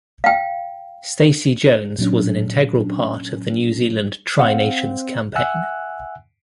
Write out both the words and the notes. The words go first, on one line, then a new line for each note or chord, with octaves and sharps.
Stacey Jones was an integral part of the New Zealand Tri Nations campaign.
F5 G5
A#2 F#3 C#4 D4
C4 F5 F#5
E5 F#5 G#5 E6 F#6